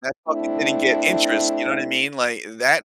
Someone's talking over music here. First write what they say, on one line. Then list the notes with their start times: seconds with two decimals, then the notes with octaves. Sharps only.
that bucket didn't get interest, you know what I mean, like that
0.28 A3 C4 D4 E4